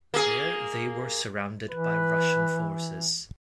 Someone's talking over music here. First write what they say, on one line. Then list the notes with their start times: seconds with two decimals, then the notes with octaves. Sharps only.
There they were surrounded by Russian forces.
0.14 A#3 G#4
1.71 E3 B4